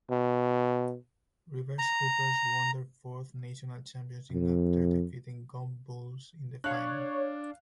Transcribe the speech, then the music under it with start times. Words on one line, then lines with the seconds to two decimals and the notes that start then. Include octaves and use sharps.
Rivers Hoopers won their fourth national championship after defeating Gombe Bulls in the final.
0.11 B2
1.79 A#5
4.32 F2
6.64 D4 C#5 F5 F#6